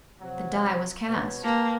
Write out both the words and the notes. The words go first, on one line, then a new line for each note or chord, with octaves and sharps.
The die was cast!
C3 F3 F#3
B2 C#5
A#3 G4 B4 A5